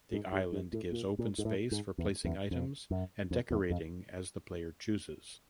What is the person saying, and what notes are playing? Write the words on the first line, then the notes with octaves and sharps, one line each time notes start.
The island gives open space for placing items and decorating as the player chooses.
G#2
G2
G2
A2
A#2
A#2
G#2
A2
G#2
E2
E2
F2
F#2
F2
E2
F2